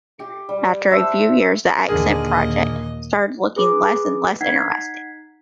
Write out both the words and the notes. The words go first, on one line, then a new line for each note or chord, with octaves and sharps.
After a few years the Accent project started looking less and less interesting.
G4
G3
C5 E5 F#5 A5
D#2 A#2 D3 G#4 A#4 D#5
G#4 B4 D6
D#4 F#5 G#6 B6 C7